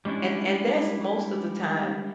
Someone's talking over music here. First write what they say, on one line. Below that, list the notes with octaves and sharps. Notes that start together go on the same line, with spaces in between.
and and that's, most of the time
G3 G#3 C#4 D4 E4